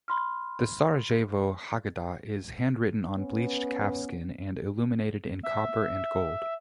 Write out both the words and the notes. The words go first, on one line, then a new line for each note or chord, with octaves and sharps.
The Sarajevo Haggadah is handwritten on bleached calfskin and illuminated in copper and gold.
B5 C6 F6
B3 C#4
E5